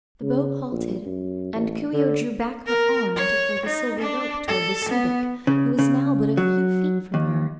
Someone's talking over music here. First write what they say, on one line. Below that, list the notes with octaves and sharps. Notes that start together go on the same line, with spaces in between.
The boat halted and Coo-ee-oh drew back her arm to throw the silver rope toward the Su-dic, who was now but a few feet from her.
C#3
A#1
F#2
A1
D3
A#4
C#5
D#4
D4
A4
B3
C#3
C#3
F#3
D#2